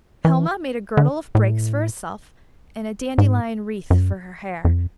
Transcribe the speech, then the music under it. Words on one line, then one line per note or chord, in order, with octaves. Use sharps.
Helma made a girdle of brakes for herself, and a dandelion wreath for her hair.
E3
D3
A2
G#2
F#2
F2